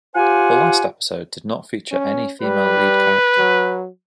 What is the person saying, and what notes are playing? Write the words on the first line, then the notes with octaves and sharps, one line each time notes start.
The last episode did not feature any female lead character.
F4 G4 C5 F#5 G#5
C#4
G3 B4
F#3